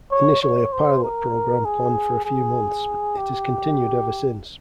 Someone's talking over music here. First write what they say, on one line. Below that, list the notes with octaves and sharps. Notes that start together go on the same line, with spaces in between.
Initially a pilot program planned for a few months, it has continued ever since.
C#5
C#5
C5
A#4
G#4
G#4
G4